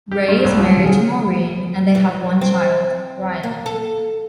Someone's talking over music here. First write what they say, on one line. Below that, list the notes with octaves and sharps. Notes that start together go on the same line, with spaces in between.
Ray is married to Maureen and they have one child, Ryan.
G4
G2
C2
F3
G#4
E3
C4
A#3
A4